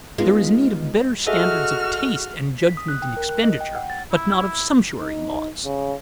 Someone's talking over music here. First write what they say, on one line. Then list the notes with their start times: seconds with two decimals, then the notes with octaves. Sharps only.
There is need of better standards of taste and judgment in expenditure, but not of sumptuary laws.
0.18 G#3 B3 D#4 F4
1.27 F#4 G#4 A4 D#5 E5 F6
2.58 B6
2.77 D#6
2.88 F#6
3.02 G5
3.17 A#4
3.29 F#6
3.44 D#5
3.61 G5
3.75 F#5
3.90 A6
4.11 E4
5.00 D#4
5.65 C#3